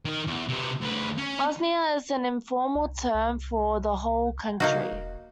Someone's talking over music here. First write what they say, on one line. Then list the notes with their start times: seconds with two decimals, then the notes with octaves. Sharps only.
"Bosnia" is an informal term for the whole country.
0.05 D#3 A#4
0.27 E2
0.48 C3 B3
0.81 D2 B4
1.18 C#4
2.75 C2
3.14 C2
4.60 C#3 A#3 D#4 F#4
4.92 E1